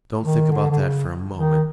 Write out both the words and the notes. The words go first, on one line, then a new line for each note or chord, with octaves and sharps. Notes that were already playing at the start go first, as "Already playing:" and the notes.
Don't think about that for a moment.
D#3
D3
D3
C#3
D#3